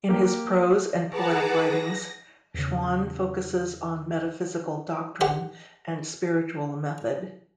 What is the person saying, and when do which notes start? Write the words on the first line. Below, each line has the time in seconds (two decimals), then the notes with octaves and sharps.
In his prose and poetic writings, Schuon focuses on metaphysical doctrine and spiritual method.
0.09 A#3 G4
1.08 G#4 B4 F#5 A5 A#5 D6
1.59 A#6
2.55 E2 C#3
5.21 G4 G#4 C5 F#5